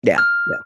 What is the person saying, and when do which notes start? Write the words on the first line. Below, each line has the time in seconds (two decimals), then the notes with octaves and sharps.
Yeah, yeah.
0.18 F6